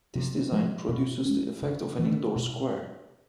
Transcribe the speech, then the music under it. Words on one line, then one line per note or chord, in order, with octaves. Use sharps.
This design produces the effect of an indoor square.
C3
F3 G#3
B2
G#3 C#4
C#3
E3 A3
B2